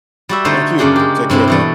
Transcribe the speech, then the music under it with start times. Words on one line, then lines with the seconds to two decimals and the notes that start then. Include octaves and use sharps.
Thank you, take care, man
0.29 G3 F#4 E5
0.45 D3 A3 D#4 A4 C5
0.78 F#2 C#3 A#3 D4 G#4 G5
0.96 G#3 G4
1.30 G2 C3 C4 E4
1.48 B2 E3 A3